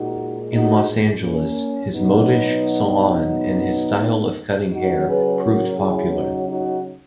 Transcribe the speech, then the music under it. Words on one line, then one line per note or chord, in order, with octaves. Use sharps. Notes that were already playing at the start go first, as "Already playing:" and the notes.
In Los Angeles, his modish salon and his style of cutting hair proved popular.
Already playing: A#2 G#3 D#4 F#4
D#4 F#4
A#3 C#4
B2 F#3 B3 D#4
C#3 F#3 D#4 F#4
G#4 B4
F#4 A#4
E4 G#4
D#4 F#4
D#4 F#4